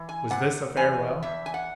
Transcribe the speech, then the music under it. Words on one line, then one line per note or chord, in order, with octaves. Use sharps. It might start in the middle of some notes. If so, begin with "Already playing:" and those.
Was this a farewell?
Already playing: E3
G#5
C3 F#5
E2 G#5
E2 E5
G#5
F#5